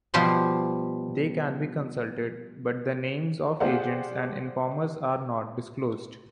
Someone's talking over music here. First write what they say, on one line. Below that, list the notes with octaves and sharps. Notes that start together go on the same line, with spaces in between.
They can be consulted, but the names of agents and informers are not disclosed.
B2 F3 G3 F4 G4 C6
G4 G#4 C5 D5 F5 F#5